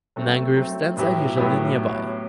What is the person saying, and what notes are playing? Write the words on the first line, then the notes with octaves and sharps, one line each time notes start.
Mangrove stands are usually nearby.
F#3 A3 C4
F#3 A3 C4
A2 F#3 B3 E4 G4
A2 F#3 B3 E4 G4